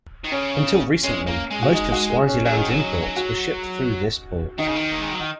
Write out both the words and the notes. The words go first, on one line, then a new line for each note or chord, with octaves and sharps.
Until recently, most of Swaziland's imports were shipped through this port.
D#3
C#3 C#4
G#3 C#4
A#3
G#3
F#4
D#4
F#4
G#4
C#4
F#3 G#4
D#3
F#3
F#4
D#3 D#4
C#3
D#3
A#3
G#3
F#3
D#3